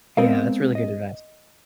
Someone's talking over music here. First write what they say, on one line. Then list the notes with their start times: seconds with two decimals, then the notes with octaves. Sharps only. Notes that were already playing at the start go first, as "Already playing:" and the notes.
Yeah, that's really good advice.
0.17 G#3 B3 C4 A#4 D#5 F5
0.75 D#5